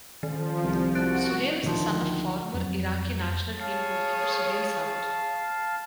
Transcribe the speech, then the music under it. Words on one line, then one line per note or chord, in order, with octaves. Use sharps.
Suhail is the son of former Iraqi national team goalkeeper Suhail Saber.
D#3 F3
C2
C2 F#4 F#6 A6 D7
D2 D#3 F3
F2 F#3
G#4 C#5 F5 A5